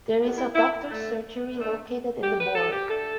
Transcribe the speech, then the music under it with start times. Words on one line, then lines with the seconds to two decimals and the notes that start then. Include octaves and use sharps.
There is a doctors surgery located in the Borg.
0.21 A2 G3 B3
0.38 E4
0.54 E4
0.88 D3 A3
1.54 D3 A3
2.21 D3 A3 G4
2.38 B4
2.55 A4
2.71 G4
2.88 D3 A3 A4